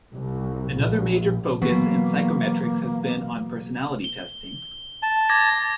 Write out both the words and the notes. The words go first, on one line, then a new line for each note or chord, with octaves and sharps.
Another major focus in psychometrics has been on personality testing.
C2
A#1
B2 E3 F#3 A#3
G7
A5
D6 G#6 A#6